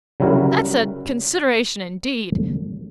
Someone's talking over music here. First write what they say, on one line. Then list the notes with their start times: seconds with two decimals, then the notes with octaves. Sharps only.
That's a consideration, indeed.
0.20 C#3 F#3 G3 E4 F#4 A#4